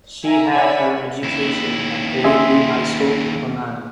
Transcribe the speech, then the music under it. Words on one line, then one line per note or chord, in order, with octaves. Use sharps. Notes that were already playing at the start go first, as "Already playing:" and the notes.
She had her education at A. V. High School, Ponani.
E5 G#5 A#5
C#5 D5 E5 G#5 B5
D#2 E4
G#4 E5 C6